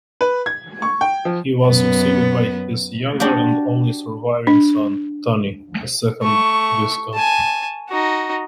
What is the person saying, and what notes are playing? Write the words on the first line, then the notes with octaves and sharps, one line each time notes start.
He was succeeded by his younger and only surviving son, Tony, as second viscount.
B4
G#6
C#6
G5
F3
F#2 B3
D4 F#4 G4
D4
A3 C#6
G#5 A5
D#4 F#4